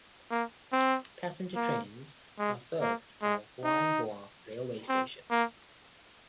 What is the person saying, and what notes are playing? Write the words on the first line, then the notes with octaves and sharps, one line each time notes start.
Passenger trains are served by the Huaihua Railway Station.
A#3
C4
A#3
G#3
A#3
G#3
D#4
C4
A#3